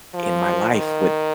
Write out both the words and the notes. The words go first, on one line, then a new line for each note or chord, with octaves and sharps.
in my life, what
F3
D#3